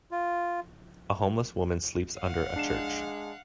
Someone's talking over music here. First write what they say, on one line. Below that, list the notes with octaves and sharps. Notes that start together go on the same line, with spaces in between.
A homeless women sleeps under a church.
F4
F5 F#5
G#3 D4 C7 E7